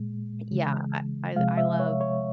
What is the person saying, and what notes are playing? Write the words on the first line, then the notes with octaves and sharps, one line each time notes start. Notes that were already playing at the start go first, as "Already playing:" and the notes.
yeah, I I I love
Already playing: A#2 G#3
C#3 E3 G#3
C3 F3 G#3 F5
E5
C#5
C#5